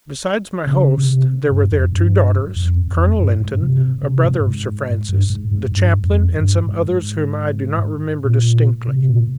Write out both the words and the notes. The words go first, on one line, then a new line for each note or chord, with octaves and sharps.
Besides my hosts, there were their two daughters, Colonel Lynton, a brother of Sir Francis, the chaplain, and some others whom I do not remember distinctly.
C#3
C3
G2
F2
G2
F2
F2
G2
G#2
C3
C3
G#2
G#2
G2
G#2
G#2
G2
F2
G2
G#2
A#2
C3
A#2